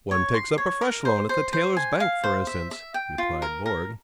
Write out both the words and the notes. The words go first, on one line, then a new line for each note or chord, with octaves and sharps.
"One takes up a fresh loan at the Tailors' Bank, for instance," replied Borg.
C#5
C6
C#5
A#4
C5
C5
C5
G#5
F5
C5
E5
E5
G5
F4
A#4
A#4